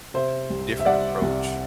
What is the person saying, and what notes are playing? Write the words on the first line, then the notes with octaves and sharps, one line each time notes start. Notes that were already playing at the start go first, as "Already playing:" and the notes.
different approach
C3 C5 E5
C2
E5
G3 D5 F#5
C2